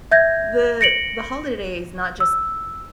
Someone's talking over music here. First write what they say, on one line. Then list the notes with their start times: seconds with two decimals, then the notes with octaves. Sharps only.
the the holiday is not just
0.11 E5 G6 G#6 A#6
0.81 A#6 C#7 D7 F#7
2.20 E6